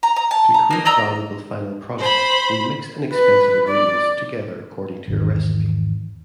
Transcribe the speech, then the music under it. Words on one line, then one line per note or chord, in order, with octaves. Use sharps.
To create valuable final products, we mix inexpensive ingredients together according to a recipe.
A#5
A#5
A5
A#5
A#3 D#4
D5 D#5 A#5 E6
C5 B5
B4
D5
G#1 E2 D#3